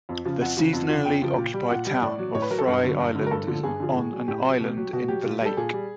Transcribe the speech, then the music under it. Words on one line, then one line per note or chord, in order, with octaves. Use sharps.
The seasonally occupied town of Frye Island is on an island in the lake.
F2
C#3 F3
F2 F#5
C#3 F3
F2
C#3 F3
F2 G5
C#3 F3
A#2
G3
A#2 F#5
G3
A2 D5
F#3
A2 C#5
B4
F#3 A#4
A4
G2 B4
D3 F#3
G2
D3 F#3
A#4
G2 A4
D3 F3
G2 G#4
D3 F3
A2
F#3
A2 G4
F#3
B2
F#3
B2 F#4
F#3 G4
A#2
G3 A4
A#2 G#4
G3